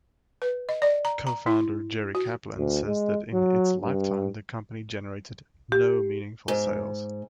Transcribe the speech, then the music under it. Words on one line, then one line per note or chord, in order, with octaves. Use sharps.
Co-founder Jerry Kaplan says that in its lifetime, the company generated "no meaningful sales".
B4
D#5
D5
A#5
A#5
E4
F#4
D2
G#3
F#3
G2
G4
G#2